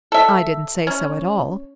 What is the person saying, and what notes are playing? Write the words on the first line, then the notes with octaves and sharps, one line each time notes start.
"I didn't say so at all."
A4 E5
C#4